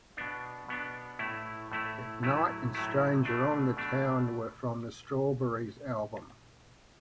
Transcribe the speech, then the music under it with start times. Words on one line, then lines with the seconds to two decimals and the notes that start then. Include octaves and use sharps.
"Ignite" and "Stranger on the Town" were from the "Strawberries" album.
0.17 B2 B3 D4
0.68 B2 B3 D4
1.19 A2 A3 E4
1.72 A2 A3 E4
2.23 A2 F#3 A3 E4
2.74 A2 F#3 A3 E4
3.25 B2 A3 D4
3.77 B2 A3 D4